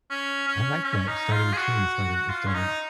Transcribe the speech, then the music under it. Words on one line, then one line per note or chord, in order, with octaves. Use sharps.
I like that. Start a routine. It started it started
C#4
C#4
C#4
D#4
F4
G#4
F#4
F4
C#4
D#4